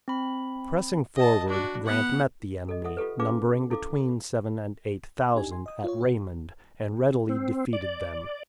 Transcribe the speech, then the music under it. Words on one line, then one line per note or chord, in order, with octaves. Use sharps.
Pressing forward, Grant met the enemy, numbering between seven and eight thousand, at Raymond, and readily defeated them.
C4 B5
D#5 A5
D4 F#4
B3 F#5
A4 D#5
A4 E5 F#5 D#6
F4 G4 A4 B4
C#4 D#4 G#4 B4 F5 D6
E4 A4 F5 D6
D4 D#4 G4 G#5
G#5 C6
D#5 D#6
F4 C#5
C3 F#4
C4
D5